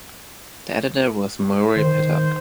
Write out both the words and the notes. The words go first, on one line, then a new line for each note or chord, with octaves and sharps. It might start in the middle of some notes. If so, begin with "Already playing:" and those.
The editor was Murray Pittock.
D#3 C5